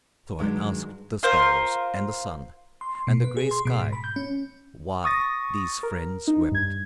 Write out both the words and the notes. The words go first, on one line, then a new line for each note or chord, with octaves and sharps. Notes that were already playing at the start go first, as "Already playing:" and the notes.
So I asked the sparrows, and the sun, and the gray sky why these friends wept.
G2 D#3 F#3 G#3
F4 A#4 C5
C6
C6
B2
B4
G#4
C6
B2
G#2
B5
G6
C#4
C#6 D#6 A6 A#6
A#4
D#4
G2 G#6